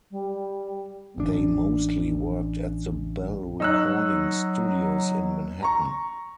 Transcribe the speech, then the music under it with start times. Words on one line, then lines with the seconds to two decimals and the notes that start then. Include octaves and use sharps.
They mostly worked at the Bell recording studios in Manhattan.
0.10 G3
1.18 A1 D4
3.60 F#3 D#4 E6 F#6
5.62 A#5 C#6